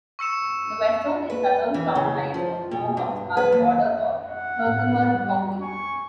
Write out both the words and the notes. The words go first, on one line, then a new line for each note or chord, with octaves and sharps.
The western and southern town lines of Morehouse are the border of Herkimer County.
C#6 E6 C#7 E7
B4
E3
C#3
F3
B2
G2
B4
D#2
F#5
A2
G3
G#5 C#6